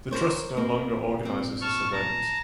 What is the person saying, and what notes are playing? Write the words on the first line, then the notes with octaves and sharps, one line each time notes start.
The Trust no longer organizes this event.
A#4 C5 C#5
A#3 C4
A#2 C4
A5 C#6 F6
A5 A#5